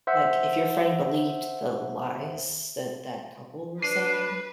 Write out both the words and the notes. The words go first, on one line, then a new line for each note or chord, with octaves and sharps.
like, if your friend believed the lies that that couple were saying
C5 E5 F#5
D4 B4 C7 D#7